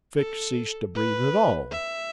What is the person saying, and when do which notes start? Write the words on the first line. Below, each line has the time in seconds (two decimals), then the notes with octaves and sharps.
Fix ceased to breathe at all.
0.17 A4
0.94 B4
1.71 E5